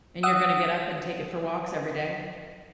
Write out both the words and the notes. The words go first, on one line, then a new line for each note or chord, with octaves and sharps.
And you're gonna get up and take it for walks every day?
F#5 D#6 E6